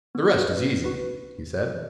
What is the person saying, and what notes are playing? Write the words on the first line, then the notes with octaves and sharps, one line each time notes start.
"The rest is easy," he said.
B3
F#4 B4
B3
F#4 B4